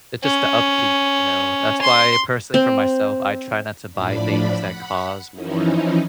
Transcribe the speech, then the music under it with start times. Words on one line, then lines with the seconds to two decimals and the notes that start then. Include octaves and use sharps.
it just the upkeep, you know? That's why, personally for myself, I try not to buy things that cause more,
0.24 C#4
1.81 C6
2.54 C4
3.91 A2 F3 D4 D5 B5
4.55 F#5 B5
5.33 E3 F3 C#4 D#4 E4